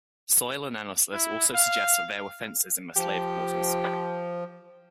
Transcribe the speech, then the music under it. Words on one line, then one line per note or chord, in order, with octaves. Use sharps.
Soil analysis also suggests that there were fences in the slave quarters.
E4
F5
F3 G4